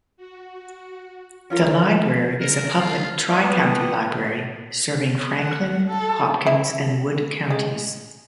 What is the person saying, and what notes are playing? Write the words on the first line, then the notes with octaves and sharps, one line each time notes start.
The library is a public Tri-County library serving Franklin, Hopkins, and Wood counties.
F#4
F3 C#4 F4 A#4
A#4
F4
D5 E5 C#6 D6
B3 G4 B4 F#5 G5 A5
F#5
A4
E4
G#3